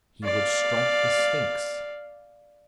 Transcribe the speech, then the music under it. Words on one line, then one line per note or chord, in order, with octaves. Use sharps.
He would strike the Sphynx.
D5 F5